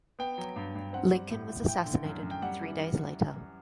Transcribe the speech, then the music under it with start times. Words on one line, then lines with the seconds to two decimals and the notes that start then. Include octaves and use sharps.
Lincoln was assassinated three days later.
0.19 B3 G5
0.38 F#3
0.56 G2
0.75 G2
0.93 C4 F#5
1.11 G3
1.30 A2
1.49 A2
1.68 A3 G5
1.86 D3
2.05 F#2
2.23 F#2
2.31 G5
2.42 G3 F#5
2.61 E3